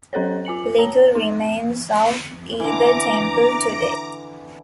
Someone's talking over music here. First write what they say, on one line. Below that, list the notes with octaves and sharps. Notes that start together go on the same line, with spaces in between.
Little remains of either temple today.
F#3 C#4 A4 C5 C#5
F4 G#5 C#7 F#7
C#5 A5 A#5
D#4
D3 E3 A#5 D6